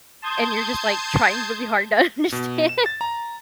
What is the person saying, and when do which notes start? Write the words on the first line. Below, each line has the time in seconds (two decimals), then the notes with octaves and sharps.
and you're just, like, trying really hard to understand.
0.22 A5 C6 D#6 G6 G#6
2.32 B2
2.69 E7
2.86 A6
3.01 A#5